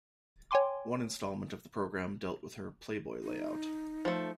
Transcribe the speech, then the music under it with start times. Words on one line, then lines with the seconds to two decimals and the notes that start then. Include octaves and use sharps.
One installment of the program dealt with her "Playboy" layout.
0.51 C#5 G5 G#5 C6 D6
3.24 D#4
4.05 F3 A3